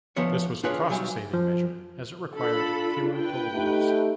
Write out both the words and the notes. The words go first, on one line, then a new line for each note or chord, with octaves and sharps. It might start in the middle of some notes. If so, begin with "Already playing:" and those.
This was a cost-saving measure as it required fewer toll booths.
D2 F3 B3 C#5
D4 F4 G#4 B4 C#5
B1 F#3 G3 G#5
F3
D4 F4 A4 B5
B4 G5
A3 D#4 G4